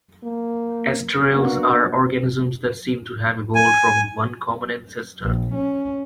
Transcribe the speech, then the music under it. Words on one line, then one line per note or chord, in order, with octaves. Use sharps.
Asterales are organisms that seem to have evolved from one common ancestor.
A#3
A#3 B3 D4 F#4
G#5
A#1
C#4